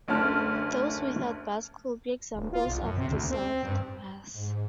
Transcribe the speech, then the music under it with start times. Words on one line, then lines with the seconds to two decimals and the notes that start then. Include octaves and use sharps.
Those without bars could be examples of dissolved bars.
0.08 F#1 D2 C#4 A5 F6
2.34 D1
2.53 F4
2.65 B1
2.81 F#2
2.97 C3
3.09 D2
3.30 C4
3.63 G2
4.33 G#2